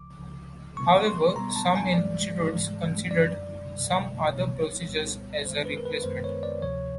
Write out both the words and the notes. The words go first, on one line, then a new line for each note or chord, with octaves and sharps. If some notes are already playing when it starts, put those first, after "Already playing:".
However, some institutes considered some other procedures as a replacement.
Already playing: C#2 C#3 F3 D6
C#2 C#3 F3
B2 G3 B3 C#6
C6
B2 G3 B3 A#5
A5
G#5
G#2 E3 G#3 D5
G#2 E3 G#3
F#2 D3 G3 D5
F#2 D3 G3
C2 A#2 G3 B3 C#5
C2 A#2 G3 B3
F#2 D#3 G#3 B3 C5
B4
A#4
B4
F#2 D#3 G#3 B3 C5
C#5
D5
D2 C3 F3 C#5